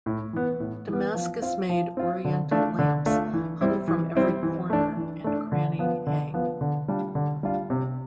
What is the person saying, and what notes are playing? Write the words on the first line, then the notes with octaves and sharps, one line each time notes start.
Damascus-made Oriental lamps hung from every corner and cranny hang.
A2
E3 B3
A2
E3 B3
F3
C4 F4
F3
C4 F4
D3
A3 D4 F4
D3
A3 D4 F4
E3
G3 C4 E4
E3
G3 C4 E4
E3
A3 D4
E3
A3 D4
D3
F3 B3
D3
F3 B3
D3
G3 D4 F4
D3
G3 D4 F4
C3